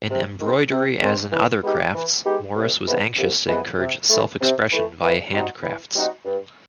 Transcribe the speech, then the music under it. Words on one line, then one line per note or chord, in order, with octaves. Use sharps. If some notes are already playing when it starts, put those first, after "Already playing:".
In embroidery as in other crafts, Morris was anxious to encourage self-expression via handcrafts.
C3
D#3 G#3 C4
C3
D#3 G#3 C4
E3
G#3 B3 D#4 G4
E3
G#3 B3 D#4 G4
C2
C3 E3 G#3 B3
C2
C3 E3 G#3 B3
C3
E3 A3
C3
E3 A3
E3
G3 C4 D#4 F#4
E3
G3 C4 D#4 F#4
G2